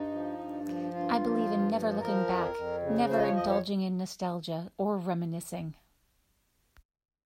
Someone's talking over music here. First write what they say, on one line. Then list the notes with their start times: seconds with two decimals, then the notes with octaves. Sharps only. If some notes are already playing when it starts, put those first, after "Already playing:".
I believe in never looking back, never indulging in nostalgia, or reminiscing.
Already playing: G2 D#4
0.11 F3
0.38 G2
0.65 F3
0.92 G2 F4
1.19 F3
1.47 G2
1.74 F3
2.00 F3 A#4
2.28 F2
2.54 F2
2.82 C#3
3.09 F3 C5
3.18 D#5
3.22 C#5
3.36 F2 D#5
3.50 C#5